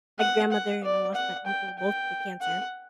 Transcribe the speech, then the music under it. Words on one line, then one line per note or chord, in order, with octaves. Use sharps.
my grandmother and I lost my uncle both to cancer.
F#5
F#5
D5
F#5
G5
G5
F#5